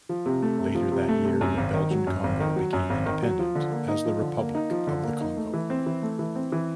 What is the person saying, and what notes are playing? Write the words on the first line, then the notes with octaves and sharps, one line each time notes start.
Later that year the Belgian Congo became independent as the Republic of the Congo.
F3
C3
A3
C3
F3
C3
A3
C3
F#2
G#1
D#3
F#3
F#2
G#1
D#3
F#3
F#2
G#1
D#3
F#3
F3
D3
A#3
D#4
F3
D3
A#3
D#4
F3
D3
A#3
D#4
A3
E3
C4
E3
A3
E3
C4
E3